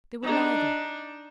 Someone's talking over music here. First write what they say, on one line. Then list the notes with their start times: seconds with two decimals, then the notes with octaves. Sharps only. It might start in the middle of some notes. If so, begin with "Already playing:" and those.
They were neither.
0.22 D4 D#4